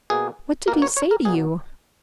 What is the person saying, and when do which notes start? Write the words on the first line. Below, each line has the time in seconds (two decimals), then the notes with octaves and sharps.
"What did he say to you?"
0.10 B2 A#3 G#4
0.68 B2 A#3 A#4
0.82 C#5
0.97 C#5
1.11 A#4
1.25 B2 F#3 A#3 G#4